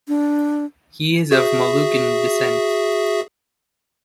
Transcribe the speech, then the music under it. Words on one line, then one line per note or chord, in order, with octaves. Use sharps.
He is of Moluccan descent.
D4
F#4 G#4 E5